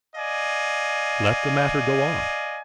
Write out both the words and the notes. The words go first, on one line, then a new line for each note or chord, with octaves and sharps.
Let the matter go on.
D5 D#5 F5 G#5